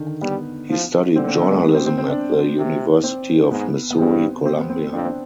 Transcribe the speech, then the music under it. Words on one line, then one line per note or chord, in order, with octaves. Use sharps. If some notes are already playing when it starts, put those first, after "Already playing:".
He studied journalism at the University of Missouri-Columbia.
Already playing: D3 D#3
G3 B3
F3
D3 C4
C4
B3
G#3
B3
C4
C4
C4
D4
C3
C4
G#2 B3
B3
G2 C4
C4
B3
C4
F2 D4
C4